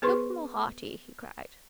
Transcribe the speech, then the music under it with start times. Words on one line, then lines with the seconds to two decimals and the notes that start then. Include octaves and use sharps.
"Look more hearty!" he cried.
0.02 B3 G#4 B4 C5 C6 C#6